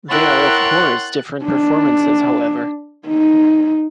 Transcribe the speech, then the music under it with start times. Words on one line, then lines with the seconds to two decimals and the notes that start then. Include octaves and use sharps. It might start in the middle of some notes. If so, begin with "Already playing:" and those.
They are of course different performances however.
0.10 E4 A#4 C#5 F#5 G5 C6 F#6 A6
1.44 D4
3.07 D#4